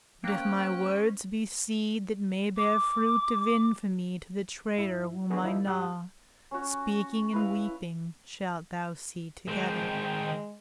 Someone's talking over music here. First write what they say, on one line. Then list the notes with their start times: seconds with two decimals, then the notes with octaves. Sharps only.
But if my words be seed that may bear fruit Of infamy to the traitor whom I gnaw, Speaking and weeping shalt thou see together.
0.24 A#3 C#4 C5 G5 F#6
2.57 D6
4.78 G2 E4
5.30 B3 D4 F#4 G#4 B4
5.42 F#2 F3 A#3 D#4 E4
5.67 G2 G3 G4 F#5 D#6 F#6
6.51 C#4 F#4
7.33 E4 B4 F5
9.48 D#3 G#3 C4